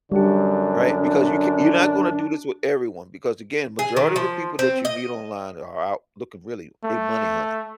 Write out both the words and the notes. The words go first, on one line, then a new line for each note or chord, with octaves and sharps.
Right? Because you ca you're not gonna do this with everyone because, again, majority of the people that you meet online are out looking really they money honey.
F#2 D3 G3 D4 G4
G#4
D#3
F3
C4
D#5
A3